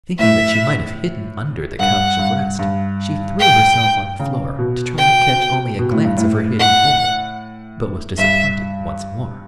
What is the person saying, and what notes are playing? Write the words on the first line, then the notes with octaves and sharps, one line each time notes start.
Thinking that she might have hidden under the couch of rest, she threw herself on the floor to try and catch only a glance of her hidden form, but was disappointed once more.
A2 E5
G2 F#5
G2
G2
G5
C#3
B2
G5
B2
A2
G2
A2
F#5
G2 E5